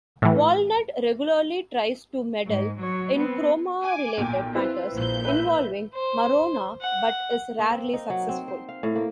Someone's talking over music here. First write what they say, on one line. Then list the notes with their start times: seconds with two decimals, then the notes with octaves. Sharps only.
Walnut regularly tries to meddle in Chroma-related matters involving Marona, but is rarely successful.
0.22 A2 E3
2.45 G#2
2.79 F#3 C#5
3.16 B3 C4
3.82 G#5 D6
4.17 B1 A#2 G5
4.55 C4 E4 F4 B4
4.93 A#1 A#2 G6
5.25 B4 E5
5.94 C5
6.81 F#5
7.59 A#3
7.71 C4
7.93 D#4
8.10 F#3
8.29 C4
8.48 C5
8.69 F5
8.83 A2
8.95 A#3